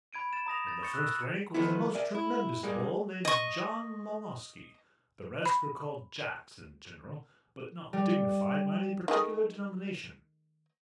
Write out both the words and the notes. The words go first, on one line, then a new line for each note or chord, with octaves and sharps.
In the first rank was a most tremendous bull named John Mowmowsky; the rest were called Jacks in general, but not dignified by any particular denomination.
B5 G#6 D7 D#7
A6 E7
A#5 D#6 A#6 F7
G6 A6
C#6 G6 A6 C#7
E6 F#6
D#3 F3 A3 B3 E4
A#4 D5 E5 G#5
E4
G2 G3 G#3 A#3
D#5 C#6
B5
G3
D#3 A3 G#4